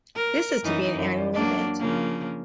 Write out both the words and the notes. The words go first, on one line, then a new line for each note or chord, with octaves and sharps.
This is to be an annual event.
A#4
F#2 E3 D#4
F#2
F#3 A#3 D4
C#3 F3 A#3